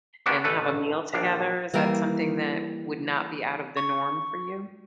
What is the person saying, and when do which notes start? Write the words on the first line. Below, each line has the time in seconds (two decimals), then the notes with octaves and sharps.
and have a meal together, is that something that would not be out of the norm for you?
0.26 A#3 B3 C#4 D4 F#4 G4
0.44 A1 A3 A4 B4
1.14 A#1 D#2 D4 F5
1.74 E3 G3 A#3 A#4
3.77 C#6